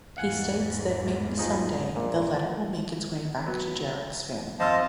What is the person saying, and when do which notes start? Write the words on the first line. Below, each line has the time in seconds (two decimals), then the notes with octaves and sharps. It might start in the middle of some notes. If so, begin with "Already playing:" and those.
He states that maybe someday, the letter will make its way to Jarok's family.
0.17 E2 G#2 F5 F#5 G#5
1.37 F3 D#4 G#4
1.96 A#1 A#2
3.46 F#3 B3
4.60 F2 C5 D#5 F5 A5 E6